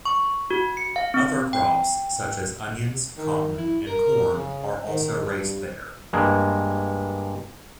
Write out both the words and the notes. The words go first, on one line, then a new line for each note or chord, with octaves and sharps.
Other crops such as onions, cotton, and corn are also raised there.
C#6
F#4
C#7
F5
C4
G5
D#3
E4
A#4
C#3
D#3
G2
G2 G#3 A#3